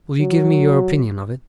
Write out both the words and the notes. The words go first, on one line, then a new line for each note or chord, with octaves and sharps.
Will you give me your opinion of it?'
F#3